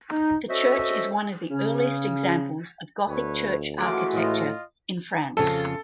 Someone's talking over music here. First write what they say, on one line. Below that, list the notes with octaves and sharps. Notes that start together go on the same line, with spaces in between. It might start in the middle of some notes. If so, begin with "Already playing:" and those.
The church is one of the earliest examples of Gothic church architecture in France.
D#4
C#4 F#4 A4 C5 D#5 E5
C#3 C#4
D2 A3 B4 C#5
E3 G#3 A3 C#4 F4 F#4 D6
A2 F4 D#5
F2 C#3 F4 A4